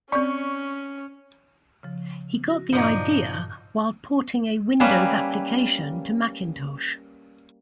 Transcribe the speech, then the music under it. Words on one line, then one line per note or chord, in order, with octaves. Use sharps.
He got the idea while porting a Windows application to Macintosh.
C4 C#4 D5 C#6
C#3 F3
F#4 A#6
G2 A#2 C#3 F3 D4 D#4
G3 A#3 C#4 B4 E5